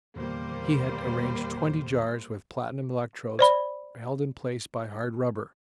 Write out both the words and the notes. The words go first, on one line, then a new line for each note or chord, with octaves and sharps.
He had arranged twenty jars with platinum electrodes held in place by hard rubber.
D#1 E2 D3 G3 A#3 C5
C5 D5 B5